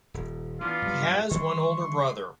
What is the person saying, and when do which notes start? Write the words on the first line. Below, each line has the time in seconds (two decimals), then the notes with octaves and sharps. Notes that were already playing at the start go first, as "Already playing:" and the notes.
He has one older brother.
0.14 D#1
0.61 E3 B3 D4 F4
0.82 G2 C3 F#3
1.31 D#3 E3 G3 C6 C#6